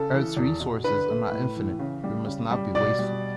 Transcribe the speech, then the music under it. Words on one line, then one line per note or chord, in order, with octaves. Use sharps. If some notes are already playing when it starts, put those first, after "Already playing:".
Earths resources are not infinite, we must not be wasteful.
Already playing: C#3 A4
E3
E2
B2
D3 B4
A3
A2
E3
C#3
G3
C#3
G3
B2 D5
G3